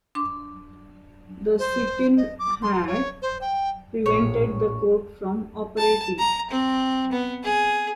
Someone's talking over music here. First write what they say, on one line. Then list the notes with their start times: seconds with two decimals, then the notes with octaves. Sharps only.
The sit-in had prevented the court from operating.
0.15 D4 C6 D6
1.59 C5
2.17 D#5
2.39 D6
2.62 C6
2.87 C#5
3.22 C5
3.41 G5
4.06 A#1 A2 C#5
5.77 A5
6.18 A#5
6.50 C4
7.12 B3
7.44 G#4